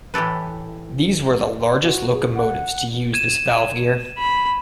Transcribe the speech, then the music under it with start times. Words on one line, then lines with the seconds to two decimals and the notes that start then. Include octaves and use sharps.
These were the largest locomotives to use this valve gear.
0.14 A2 E3 G4 A4 B4
1.61 C6
1.84 F#4
2.13 G#4
2.35 F#5
3.14 G#6 D#7 E7
4.18 B5